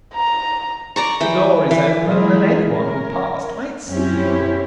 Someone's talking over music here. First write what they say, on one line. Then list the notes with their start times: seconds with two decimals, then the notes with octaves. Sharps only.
"The door is open, and any one who passed might see you."
0.14 A#5
0.96 D5 A#5 C#6
1.21 E3 G5
1.71 E3
2.04 E3 F#3 G#3 E4 F4 G#4
2.69 C#4 A#4
3.89 F#2 C4 C#4 E4 G4